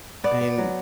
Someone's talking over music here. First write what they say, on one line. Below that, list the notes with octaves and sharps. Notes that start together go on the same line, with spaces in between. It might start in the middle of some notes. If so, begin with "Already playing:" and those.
I in
B3 D5
B3
F#3